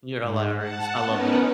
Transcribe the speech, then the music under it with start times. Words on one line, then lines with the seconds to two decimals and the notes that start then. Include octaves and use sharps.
You're hilarious. I love that.
0.21 G#2
0.58 F#5 A5
1.04 B3 C#4 D#4 A#4 B4